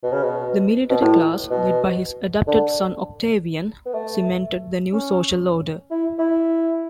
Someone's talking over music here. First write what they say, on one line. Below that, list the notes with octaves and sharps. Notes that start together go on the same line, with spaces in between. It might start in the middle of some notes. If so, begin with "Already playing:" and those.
The military class, led by his adopted son Octavian, cemented the new social order.
B2
C#3
B2
B2
A2
B2
D3
B3
A3
C#4
E4
E4